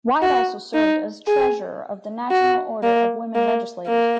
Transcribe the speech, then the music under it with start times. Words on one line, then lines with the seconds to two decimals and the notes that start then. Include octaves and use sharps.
White also served as treasurer of the National Order of Women Legislators.
0.22 F#4
0.74 D#4
1.27 G#4
2.31 F#4
2.83 A#3
3.35 A#3
3.88 A#3